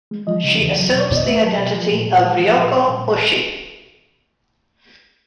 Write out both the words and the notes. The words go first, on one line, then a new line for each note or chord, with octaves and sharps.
She assumes the identity of Ryoko Hoshi.
G#3
F3 D#5
C#3
E2
F#3
B2 C#5
B2 D5
D#5
A3 E5
F#3
B2
F3
A#2
A#2
G#3
F3
A#2
G3 F5
A#2